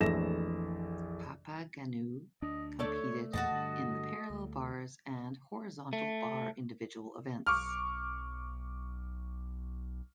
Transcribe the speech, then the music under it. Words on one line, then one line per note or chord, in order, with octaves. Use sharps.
Papaigannou competed in the parallel bars and horizontal bar individual events.
A#1 F2 E3 A3 A#6 E7
D2 D4 D#5
A3 A4 C#5 D5
E2 A#2 F#4 D#5 F#5 A5
G2 D3
D2
A3
B1 C#6 D6 F6